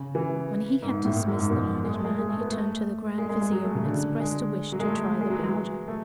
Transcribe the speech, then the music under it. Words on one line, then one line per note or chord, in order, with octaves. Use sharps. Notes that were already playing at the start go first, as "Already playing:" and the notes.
When he had dismissed the learned man, he turned to the Grand Vizier, and expressed a wish to try the powder.
Already playing: C#3
E3
G#2
G#2
A2
G#2
F#2
G#2
B2
G#3
A3
G#3
G#3
A3
B3
A3
G#3
G#3
G#3
F#3
A3
C#3
D3
G#3
F#3
G#3
A3
G#3
F#3
E3
F#3
A3